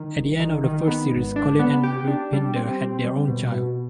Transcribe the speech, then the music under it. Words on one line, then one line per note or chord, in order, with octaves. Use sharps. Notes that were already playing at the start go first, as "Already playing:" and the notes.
At the end of the first series Colin and Rupinder had their own child.
Already playing: D#3
G1
D#3
D#3
B3
G#1
D4
B3
G4
D4
G3
C4
C4
G3
B2
B2